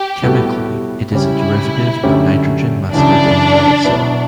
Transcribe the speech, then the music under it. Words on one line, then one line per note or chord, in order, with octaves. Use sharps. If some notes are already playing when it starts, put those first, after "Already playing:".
Chemically it is a derivative of nitrogen mustard and uracil.
Already playing: G4
A2 G3 B3 F#4 A4
C#3 G3 C#4 E4 G4
F#2 D3 A3 C#4 G4
F#2 C#3 E3 D4
B2 F#3 B3 E4